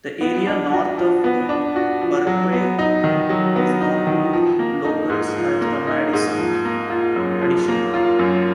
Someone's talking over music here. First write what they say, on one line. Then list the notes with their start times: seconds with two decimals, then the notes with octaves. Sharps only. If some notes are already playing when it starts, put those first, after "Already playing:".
The area north of D Parkway is known to locals as the "Madison Addition".
0.21 B3
0.47 D4
0.73 F#4
0.98 F3
1.24 B3
1.49 D4
1.76 F#4
2.02 F3
2.27 F#3
2.52 B3
2.79 D#4
3.04 D#3
3.29 F#3
3.56 B3
3.81 D#4
4.07 D#3
4.33 F3
4.59 A#3
4.85 D#4
5.10 G#2
5.36 F3
5.61 A#3
5.87 D#4
6.13 G#2
6.38 F3
6.65 A#3
6.90 F4
7.16 F#2
7.41 F3
7.68 A#3
7.94 F4
8.19 F#2